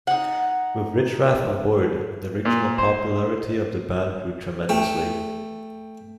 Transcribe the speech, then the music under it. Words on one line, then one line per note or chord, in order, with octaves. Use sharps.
With Richrath on board, the regional popularity of the band grew tremendously.
D#4 F#5
A#2
C5
A3 G5